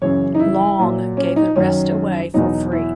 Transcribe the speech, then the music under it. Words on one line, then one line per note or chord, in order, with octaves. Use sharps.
Long gave the rest away for free.
F#2 C#3 E3 C#5
D#4
E4
A#2 F#3
C#4
D#4
F#2 D#3 F#3 C#4
E2 B2 F#3 D#4
E4